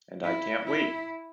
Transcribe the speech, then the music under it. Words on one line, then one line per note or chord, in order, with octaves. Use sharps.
And I can't wait!
E4
E4